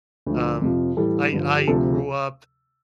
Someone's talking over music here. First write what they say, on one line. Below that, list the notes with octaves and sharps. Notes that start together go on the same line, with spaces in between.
um, I I grew up
D2 D3 F3
F2 C3 F3
A2 E3 G3 A4
G2 D3 F3
G4
D2 C3 F3 A4